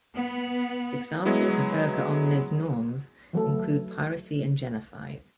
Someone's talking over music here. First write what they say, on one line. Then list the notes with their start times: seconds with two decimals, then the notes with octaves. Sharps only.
Examples of erga omnes norms include piracy and genocide.
0.14 B3
1.25 F#3 G#3 B3 E4
3.33 E3 F#3 A3 A4